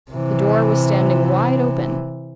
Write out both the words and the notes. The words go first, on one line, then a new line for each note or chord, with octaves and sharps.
The door was standing wide open.
C3 E3